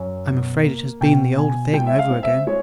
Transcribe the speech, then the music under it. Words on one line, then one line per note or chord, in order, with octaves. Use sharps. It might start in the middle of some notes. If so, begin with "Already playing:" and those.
I'm afraid it has been the old thing over again.
Already playing: F#2
B2
A#3
B2 G5
B2 G#5
G#3 G5
E5
F5
C4
E5
G#3 C#5